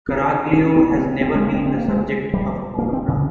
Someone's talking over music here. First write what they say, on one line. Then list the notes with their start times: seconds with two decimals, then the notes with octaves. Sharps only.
Caraglio has never been the subject of a monograph.
0.08 C4
0.53 C#4
0.76 C4
0.92 A#3
0.98 C4
1.21 C4
1.36 G#3
1.43 A#3
1.54 C4
1.66 C4
1.77 A#3
1.88 G#3
2.34 G3
2.78 A#3
2.93 C4
3.08 C#3